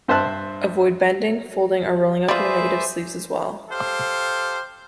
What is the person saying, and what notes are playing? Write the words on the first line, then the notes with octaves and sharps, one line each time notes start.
Avoid bending, folding or rolling up your negatives sleeves as well.
G2 C5 E5 A5 F#6
G3 F4 G#4 B4 C5 D5 E5
G4 A4 C5 F5